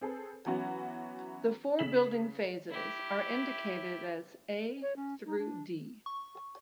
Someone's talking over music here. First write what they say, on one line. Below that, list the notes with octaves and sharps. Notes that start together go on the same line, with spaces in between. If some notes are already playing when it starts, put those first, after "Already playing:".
The four building phases are indicated as a–d.
C4 G#4 A4 B4
E3 F#3 B3 C#4 F#4
C#3 B6 E7 F#7
E4 G4
C#5
C#4
D#4
D4
C#6